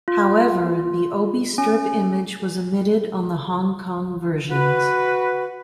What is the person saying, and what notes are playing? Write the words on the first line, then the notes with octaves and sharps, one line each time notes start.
However, the obi strip image was omitted on the Hong Kong versions.
F4
C#4
F#4 B4